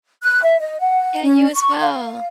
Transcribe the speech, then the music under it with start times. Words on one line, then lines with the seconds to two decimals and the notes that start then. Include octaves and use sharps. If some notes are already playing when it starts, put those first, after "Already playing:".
Yeah, you as well.
0.23 F#6
0.43 E5
0.60 D#5
0.79 F#5
1.23 C#4
1.54 C#6
1.82 F5